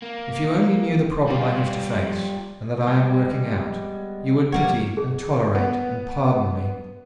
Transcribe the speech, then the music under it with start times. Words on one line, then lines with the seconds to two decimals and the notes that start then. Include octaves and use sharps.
If you only knew the problem I have to face, and that I am working out, you would pity, and tolerate, and pardon me.
0.02 A#3
1.27 G3 F4
2.87 G3 G#3 B3
4.52 G3 A#3 C#5 F#5
4.97 G#4
5.55 B3